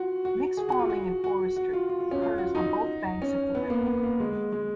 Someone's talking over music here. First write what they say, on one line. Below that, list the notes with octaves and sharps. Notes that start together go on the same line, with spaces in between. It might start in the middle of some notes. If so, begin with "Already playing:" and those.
Mixed farming and forestry occurs on both banks of the river.
Already playing: F4 F#4
F#4
G#4
F#4
F4
F#4
F#4
F#4
F4
F4
F4
C#4
F4
F#4
D#4
C#4
B3
A#3
B3
A#3
G#3
G#3